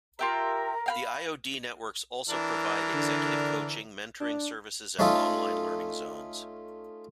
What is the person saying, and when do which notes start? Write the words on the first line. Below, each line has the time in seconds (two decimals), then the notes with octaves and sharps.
The IoD networks also provide executive coaching, mentoring services and online learning zones.
0.19 F4 G4 A#4 E5 A#5
0.86 F5 G5 B5
2.30 E3 D4 A#4
2.94 D3
4.21 D4
4.99 A3 C#4 D#4 F4 A4